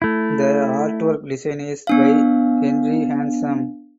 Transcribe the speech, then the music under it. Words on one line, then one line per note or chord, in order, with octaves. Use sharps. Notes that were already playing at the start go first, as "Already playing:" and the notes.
The artwork design is by Hendry Handsome.
A3 E4
B3 D4 F5